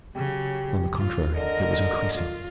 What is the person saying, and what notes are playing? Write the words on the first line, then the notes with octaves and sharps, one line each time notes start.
On the contrary, it was increasing.
C#3 F#3 G4
F4
D3 A#4 D#5
F4